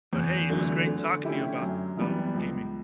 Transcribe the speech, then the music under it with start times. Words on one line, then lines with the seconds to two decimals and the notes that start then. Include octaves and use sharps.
But hey, it was great talking to you about about gaming.
0.13 E2
0.50 D3 F#3 A3
0.86 D3
1.24 A3 C#4 E4 G4
1.60 F#2
1.97 E3 G3 B3
2.34 C#2